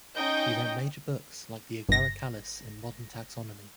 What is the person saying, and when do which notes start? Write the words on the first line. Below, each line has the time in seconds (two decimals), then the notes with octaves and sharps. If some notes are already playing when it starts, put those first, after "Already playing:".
He wrote major books like "The Agaricales in Modern Taxonomy".
0.16 C#4 D#4 D#5 G5 G6
1.89 G1 A#6